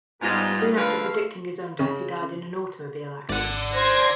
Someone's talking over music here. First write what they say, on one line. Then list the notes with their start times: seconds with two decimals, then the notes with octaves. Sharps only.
Soon after predicting his own death, he died in an automobile accident.
0.22 G#2 G3 B3 D#4 F4
0.77 D3 F3 A3 B4 F5
1.79 C#3
3.29 G#1 D5 F#5
3.75 C5 C6 G#6 A#6